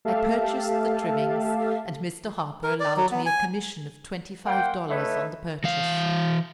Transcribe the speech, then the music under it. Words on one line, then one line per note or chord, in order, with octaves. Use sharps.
I purchased the trimmings, and Mr. Harper allowed me a commission of twenty-five dollars on the purchase.
A3 G4 A4 E5 F5 A5
A#4
D5
F#3
B3
G#5
A#3 C5 F#5 G5
A3 D#4 B4 C#5 E5
E3 F5